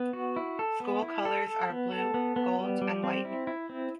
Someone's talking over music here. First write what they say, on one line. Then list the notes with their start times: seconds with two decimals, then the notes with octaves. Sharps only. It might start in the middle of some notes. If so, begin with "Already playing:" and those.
School colors are blue, gold, and white.
Already playing: B3
0.13 F#4
0.36 E4
0.59 A4
0.80 B3
1.03 E4
1.25 A4
1.47 A4
1.70 B3
1.92 A4
2.14 B3
2.36 B3
2.59 G3
2.81 G3
3.04 C4
3.25 E4
3.47 E4
3.69 C4